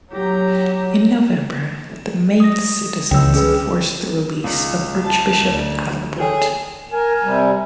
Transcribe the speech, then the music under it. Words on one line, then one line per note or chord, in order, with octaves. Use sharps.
In November, the Mainz citizens enforced the release of Archbishop Adalbert.
F#3 G4 A#5
D#6 A#6
C#2 G5 E6
C#4 G#4 B4
C#2
A5
D2
G#4 A4 C#5 G5
A#4 G#5
C3 G3